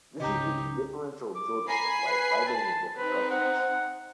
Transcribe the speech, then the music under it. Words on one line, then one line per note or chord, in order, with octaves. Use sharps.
This is due to differential absorption of light vibrating in different directions.
G#1 C#2 C#3 D#4 G4 D#5 A#5
D6
G#5 A#5 B5 C7
B4
A5
C4 D#4 B4
F#5